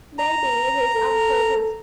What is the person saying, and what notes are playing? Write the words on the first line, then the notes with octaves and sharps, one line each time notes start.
Maybe it is on purpose.
A#5
A4